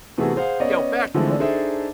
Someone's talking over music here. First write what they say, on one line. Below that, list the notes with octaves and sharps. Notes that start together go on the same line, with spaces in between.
you know, fast forward
C3 E3 A3 B3 F#4 G#4
G#4 C5 F5 F#5
B3 C#4 D5 D#5
D3 E3 F3 G#3 A3 C4
D4 D#4 G#4 A4 C5 E5